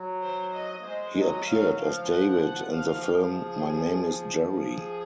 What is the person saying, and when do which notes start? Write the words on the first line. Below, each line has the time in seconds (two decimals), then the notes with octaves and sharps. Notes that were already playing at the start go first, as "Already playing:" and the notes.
He appeared as David in the film "My Name is Jerry".
Already playing: F#3
0.22 C5
0.54 D#5
0.80 A#3
0.85 G#3 C5
1.16 F#3 D#5
1.47 F#3 F5
1.78 F3 F5
2.09 F#5
2.41 F#5
2.71 F3 F5
2.81 D#3
2.90 F3
3.18 G#4
4.58 G#4